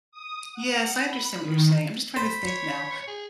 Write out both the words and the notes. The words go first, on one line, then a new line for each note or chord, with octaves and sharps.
Yes, I understand what you're saying, I'm just trying to think now.
D#6
F#5
B5
D#3
C5 B5
C#5
G#4